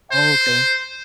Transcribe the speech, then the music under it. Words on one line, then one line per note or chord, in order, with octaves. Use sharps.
Oh, okay.
C5